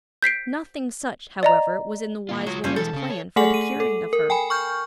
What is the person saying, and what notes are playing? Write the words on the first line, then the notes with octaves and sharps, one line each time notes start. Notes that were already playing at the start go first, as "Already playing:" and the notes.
Nothing such, however, was in the wise woman's plan for the curing of her.
G6 B6 C7 D7
D5 D#5 A#5
E3 A#3 F4
F#3 F4 C#5
F#2 F3 A#3 C#4
E3 G#3 A4
C#3 C#4
C#5
A3 G#4 A4 F#5 G#5 F#7
D#7
A4
A#4
G5 G#5 B5
C#6 F6 G6